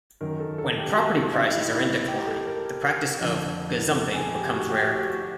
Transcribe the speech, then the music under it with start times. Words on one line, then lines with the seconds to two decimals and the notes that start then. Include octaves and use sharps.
When property prices are in decline the practice of gazumping becomes rare.
0.21 F#2 D#3 A#4
0.40 A4
0.58 A4
0.78 G4
0.96 F#4
1.33 D#4
1.53 E4
1.71 E4
2.08 G4
2.27 A4
2.46 A#4
3.21 F2 D3
3.95 A4
4.14 G#4
4.33 G4
4.52 F#4
4.70 G4
4.90 F#4
5.08 F#4